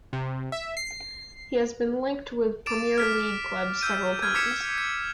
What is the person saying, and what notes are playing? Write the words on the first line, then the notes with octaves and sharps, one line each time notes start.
He has been linked with Premier League clubs several times.
C3
E5
C7
D6 A6 D7 E7
F6 B6 D7
E6 G6 D#7
F6 G#6
D6 G#6 B6 C#7 E7
G#6